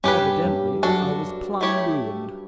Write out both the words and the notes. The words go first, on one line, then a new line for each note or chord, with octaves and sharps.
Evidently I was plumb ruined.
G2 C#4 G4 B4
G2
F#2 D4 F#4 A4
A3 E4 G4 C#5